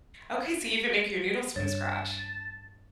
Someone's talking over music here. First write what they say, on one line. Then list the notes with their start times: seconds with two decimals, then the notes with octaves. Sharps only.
Okay, so you even make your noodles from scratch.
1.56 G2 C#5 A5